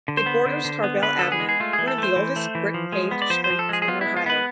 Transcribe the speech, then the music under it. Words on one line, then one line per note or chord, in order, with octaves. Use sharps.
It borders Tarbell Avenue, one of the oldest brick-paved streets in Ohio.
D3
C5
B3
D3
D3
B3
D3 B4
B3 A4
G#4
G#3
G#4
A3 F4
G#4
E3
A4
A3 C5
E3
A3
E3
F3
G#3
B3
D5
F3 C5
C5
F3
A4
G#3 G#4
G#4
B3 F4
G#3 E4
F4
B3 B4